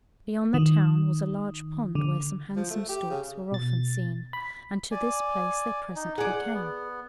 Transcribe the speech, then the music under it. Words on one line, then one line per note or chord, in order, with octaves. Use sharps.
Beyond the town was a large pond where some handsome storks were often seen, and to this place they presently came.
D#3
D3
F3
A3
G4
C#3
B2 A6
B5
D5 G#5
D#4
G#4 D5 F#5
B3